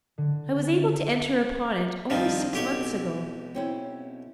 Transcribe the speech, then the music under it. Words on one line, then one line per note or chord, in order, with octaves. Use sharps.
I was able to enter upon it only six months ago.
D3
G2 D#3 F3 C4 D#4 F5
B1 G4 C#6
C4 C#4 E4